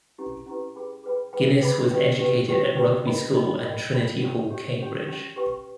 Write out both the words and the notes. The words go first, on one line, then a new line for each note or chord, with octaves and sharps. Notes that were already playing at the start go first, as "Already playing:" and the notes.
Guinness was educated at Rugby School and Trinity Hall, Cambridge.
C#4 E4 G4 B4
C#4 E4 G4 B4
G#4 B4 G5 B5
G#4 B4 G5 B5
G#4 B4 G5 B5
G#4 B4 G5 B5
G4 B4 G5
G4 B4 G5
G4 B4 G5
G4 B4 G5
A#4 D#5 G5 B5
A#4 D#5 G5 B5
A#4 D#5 G5 B5
A#4 D#5 G5 B5
C#4 G4 C#5 G5
C#4 G4 C#5 G5
C#4 G4 C#5 G5
C#4 G4 C#5 G5
G4 B4 G5 C#6